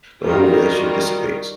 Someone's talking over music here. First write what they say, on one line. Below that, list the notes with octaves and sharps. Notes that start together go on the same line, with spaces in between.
the whole relationship dissipates.
D#3 G3 F4 F#4 A#4